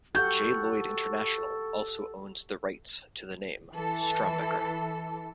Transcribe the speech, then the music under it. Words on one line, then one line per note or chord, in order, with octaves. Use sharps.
J. Lloyd International also owns the rights to the name StromBecKer.
F#4 G4 A4 F#5 C#6 G6
E3 A4